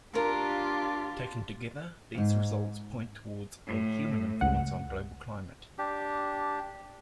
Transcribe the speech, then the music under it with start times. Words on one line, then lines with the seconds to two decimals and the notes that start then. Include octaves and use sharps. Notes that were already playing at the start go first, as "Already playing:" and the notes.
Taken together, these results point towards a human influence on global climate.
0.13 D4 F4 G4 A#4 C#5 F5
2.15 F2 G#2
3.67 A2
4.41 C#2 F#5
5.78 D4 G4